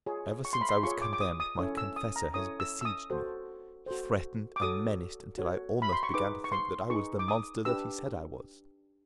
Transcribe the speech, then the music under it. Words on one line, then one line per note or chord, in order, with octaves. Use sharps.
Ever since I was condemned, my confessor has besieged me; he threatened and menaced, until I almost began to think that I was the monster that he said I was.
F4 G#4 C#5
C#6
C6
B5
C6
F4 G#4 C#5 C#6
D6
D6
D#6
D#6
C#4 E4 A4 C#5
E6
D#6
A#5
C#4 E4 A4 C#5 D#6
E6
E6
D#6
F#4 A4 C5
F#4 A4 C5
D6
F#4 A4 C#5 D#6
F#4 A4 C#5
B5
C6
C#6
D#4 G#4 B4 D6
C#6
C6
D#4 G#4 B4 C#6
D6
D#6
D4 G4 B4 E6